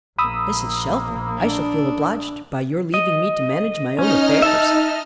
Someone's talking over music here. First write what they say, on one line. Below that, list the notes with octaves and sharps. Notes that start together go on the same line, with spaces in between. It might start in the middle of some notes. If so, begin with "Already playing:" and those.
"Mrs. Shelfer, I shall feel obliged by your leaving me to manage my own affairs."
A#1 A#3 B5 D#6 E6
D4
D#5
C#4 D#4 D#5 F6
E5 A5